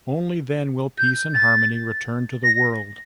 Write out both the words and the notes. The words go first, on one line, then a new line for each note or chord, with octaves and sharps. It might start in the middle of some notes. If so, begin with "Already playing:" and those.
Only then will peace and harmony return to the world.
G6
A6
A#6